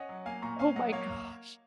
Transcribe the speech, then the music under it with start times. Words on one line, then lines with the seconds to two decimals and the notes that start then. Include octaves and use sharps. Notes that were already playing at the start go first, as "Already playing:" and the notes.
oh my gosh.
Already playing: C#4 D#5 F#5
0.09 F#3
0.26 A#3 F5 G#5
0.42 A#2 A#5 C#6
0.59 C#4 F5 G#5
0.76 F#3 D#5 F#5
0.92 A#3 C#5 F5